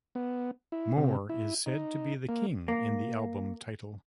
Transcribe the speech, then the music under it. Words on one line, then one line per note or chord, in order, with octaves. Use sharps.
Moore is said to be the "King" in the album title.
B3
E4
C3
E4
D#4
A#3
A#3